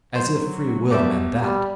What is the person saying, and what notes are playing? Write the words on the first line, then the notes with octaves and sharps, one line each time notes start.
As if free will meant that!
F#3 C5
B2 G4 D5 E5
G3